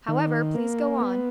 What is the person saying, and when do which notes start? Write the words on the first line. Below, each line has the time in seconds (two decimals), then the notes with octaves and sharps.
"However, please go on."
0.08 D#3
0.55 A#3
1.00 B3